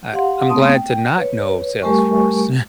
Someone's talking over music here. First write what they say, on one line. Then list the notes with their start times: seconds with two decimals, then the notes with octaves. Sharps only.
I I'm glad to not know Salesforce
0.13 G4 F5 F#5 C6
0.50 A3 B3 C4 A5 C6 D#6
0.74 G5
1.17 B4 C#5
1.83 G3 A3 G4 A#4 G#5 C#6